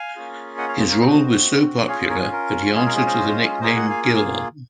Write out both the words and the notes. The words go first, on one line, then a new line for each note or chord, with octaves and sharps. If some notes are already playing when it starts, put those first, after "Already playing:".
His role was so popular that he answered to the nickname "Gil".
Already playing: F5 G#5
A#3 C#4 F4 G#4
D#5 F#5
C#5 F5
C5 D#5
A#4 C#5
C4 F#4 C5 D#5
C#4 F4 G#4 C#5 F5
A#4 C#5
G#4
A#4
G#3 C#4 F4 G#4
A#4
G#4 C5
C5 D#5
A#3 F4 G#4 C5 D#5
D#5 F#5
F5 G#5
F5 G#5
F5 G#5